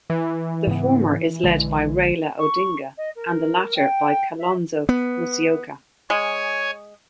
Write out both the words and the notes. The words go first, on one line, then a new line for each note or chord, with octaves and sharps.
The former is led by Raila Odinga and the latter by Kalonzo Musyoka.
E3
G#2 C#3 B3
A#1 D3 G#3
C#6
D#5
A#4
G5
E5
B3
G#3 C#5 G#5